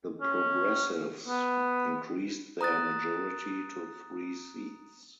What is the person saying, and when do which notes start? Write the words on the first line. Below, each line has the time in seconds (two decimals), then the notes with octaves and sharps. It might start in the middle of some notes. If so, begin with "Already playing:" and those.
The Progressives increased their majority to three seats.
0.21 C#4
1.28 B3
2.61 A#5 D#6 F#6 A6